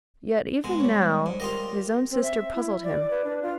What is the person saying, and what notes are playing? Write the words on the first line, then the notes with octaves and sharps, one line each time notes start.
Yet even now, his own sister puzzled him.
B2 G#3
G3 C#5
G#2
F4 G4 A#4 D#5
C4
E5
E4
D5
B4
D4
F4